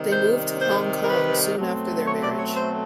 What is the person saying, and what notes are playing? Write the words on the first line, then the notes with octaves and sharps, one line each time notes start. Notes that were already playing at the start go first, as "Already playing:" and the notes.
They moved to Hong Kong soon after their marriage.
Already playing: C3 D#3 G3
C5
C5
A#4
B4
B2 F#3 A3 C4
C#5
D5
C#5
C5